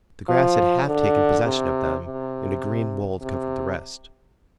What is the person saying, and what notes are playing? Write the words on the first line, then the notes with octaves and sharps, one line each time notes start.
The grass had half taken possession of them, and a green mould covered the rest.
F3
D3
C3
C3
C3